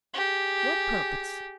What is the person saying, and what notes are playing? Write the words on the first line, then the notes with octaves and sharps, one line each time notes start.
"What purpose?"
G4 G#4